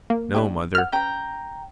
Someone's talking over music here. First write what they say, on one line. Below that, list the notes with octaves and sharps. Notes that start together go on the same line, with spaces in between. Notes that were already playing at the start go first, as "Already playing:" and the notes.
No, mother!
A#3
D4 E4 G4
B4 F#5 F6
C#4 B4 G5 A#5